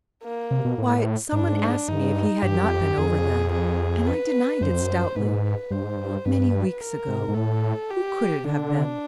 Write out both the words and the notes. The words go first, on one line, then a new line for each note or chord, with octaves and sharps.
Why, some one asked me if he had not been over then, and I denied it stoutly--not many weeks ago--who could it have been?
A#3
C3
B2
A2
G#2 D4
G2
G#2
G2 D#4
G2 G4
F#2
F2
F#2
F2 G#4
G#4
B4
F#2 C5
F2
F#2
G#2 B4
G2 C5
G#2
G2
G2 B4
A#4
G#2
G#2
A2 A4
G4
D3 D4